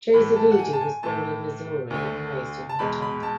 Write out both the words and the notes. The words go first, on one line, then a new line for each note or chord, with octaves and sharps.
Joseph Edy was born in Missouri and raised in Montana.
A2 E3 A3 B5
A5
F#5
G#5
A5
G#5
A2 E3 A3 A5
D2 D3 A3
A5
E2 B2 G#3 B5
B5
A5